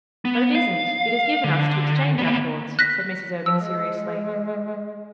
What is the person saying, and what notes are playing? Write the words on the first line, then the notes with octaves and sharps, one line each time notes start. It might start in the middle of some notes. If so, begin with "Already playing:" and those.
"But it isn't--it is given us to exchange our thoughts," said Mrs. Irving seriously.
B3
F5
D3
A#3 B3
F#6 A#6 B6
F3 E6
G#3